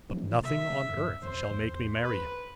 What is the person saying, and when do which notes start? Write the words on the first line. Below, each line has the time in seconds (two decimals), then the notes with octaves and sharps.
But nothing on earth shall make me marry him.
0.10 F3
0.17 E3
0.32 B2
0.44 C3 E5
0.70 B2
0.88 F2
0.97 G2
1.23 F2 C5
1.33 E2
1.51 E2
2.02 B4